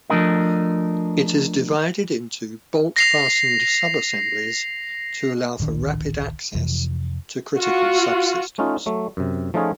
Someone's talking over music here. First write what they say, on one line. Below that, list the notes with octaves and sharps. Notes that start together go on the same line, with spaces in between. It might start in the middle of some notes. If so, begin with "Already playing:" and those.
It is divided into bolt-fastened sub-assemblies to allow for rapid access to critical subsystems.
F3 A3 D4 A#4 D#5
A#6 C7 F7
D1 A#1 D#3 D4
F2 C3 E3 F3
F4 F#4
A3 C#4 D#4 F4
F#3 A3
F#2 C3
F3 A3 C#4 D#4 F4 G#4